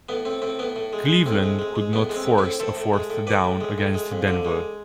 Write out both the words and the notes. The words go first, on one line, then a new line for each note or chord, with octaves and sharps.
Cleveland could not force a fourth down against Denver.
A2 B3
A2 C4
A2 C4
A2 B3
A2
G#3
G#3
A2 C4
G#3
G#3
G#3
A2 B3
G#3
C4
A2
C4 E4
A2
A2 A4 C5
A2
G#3
A2
A2 B4 D5
A2
G#3
A2
G#3
F2
D3
G#3